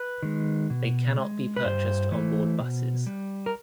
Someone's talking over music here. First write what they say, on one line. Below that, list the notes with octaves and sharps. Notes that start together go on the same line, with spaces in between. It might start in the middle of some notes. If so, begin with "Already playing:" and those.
They cannot be purchased on board buses.
Already playing: B4
D#3 G#3
B2
G#3
B4
G2 C5
E3 A3
B2
G3
A#4